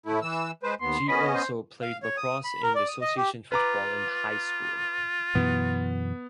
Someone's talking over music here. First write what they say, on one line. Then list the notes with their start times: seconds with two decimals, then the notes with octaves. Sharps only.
She also played lacrosse and association football in high school.
0.06 A2 A3 E4
0.22 E3 E6
0.63 G#3 B4 C5
0.81 D#2 B3 C6
1.08 B3 C#4 D#5 B5
1.35 C5
1.82 F5
2.03 C#5
2.17 D#6
2.44 B5
2.63 A#4
2.75 D5
2.88 D#6
3.01 D#5
3.17 G4
3.52 F4 B4 A#5 D6
5.35 F#2 B2 E3 B3